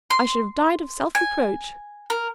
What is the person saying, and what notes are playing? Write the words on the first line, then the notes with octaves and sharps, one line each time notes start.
I should have died of self-reproach.
C6
G#5
A#4